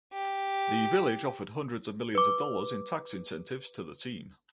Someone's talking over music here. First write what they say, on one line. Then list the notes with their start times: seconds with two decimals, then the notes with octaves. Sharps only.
The village offered hundreds of millions of dollars in tax incentives to the team.
0.13 G4
2.15 B4 D6